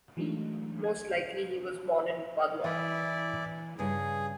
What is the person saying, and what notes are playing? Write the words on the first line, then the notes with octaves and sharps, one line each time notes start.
Most likely he was born in Padua.
E3 F#3 G#3 A3 D4 D#4
G#6
E3 E4 D5
G2 C#3 G#4